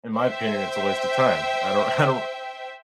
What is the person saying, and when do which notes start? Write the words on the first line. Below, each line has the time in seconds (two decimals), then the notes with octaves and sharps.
in my opinion, it's a waste of time, I don't I don't
0.16 C5 E5 G5